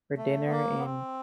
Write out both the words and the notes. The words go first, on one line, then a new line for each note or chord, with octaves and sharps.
for dinner, and
A3
B3
A#3
B3
C4